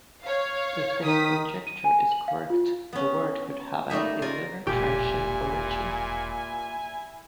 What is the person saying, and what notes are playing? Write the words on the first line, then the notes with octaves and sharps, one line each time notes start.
If this conjecture is correct, the word could have an "Illyro-Thracian" origin.
C#5 F5
D#3 D#6 B6
D#7
G#5
F#7
F5
F4
B3 C#4
G3 A3 A#3 D#4 E5
F4 A#4 D5 G#5
E1 A#1 A#2 E4 G4 G#5